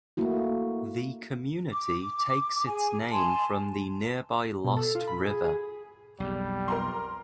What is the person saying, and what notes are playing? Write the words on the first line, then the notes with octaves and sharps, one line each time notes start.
The community takes its name from the nearby Lost River.
A3 A#3 E4 F#4
D6
G#4 G#5
G#5 A5 C6
B2
A4
F4
B5
G#4
G#4
B1 F2 G3
A#4 A#5 C6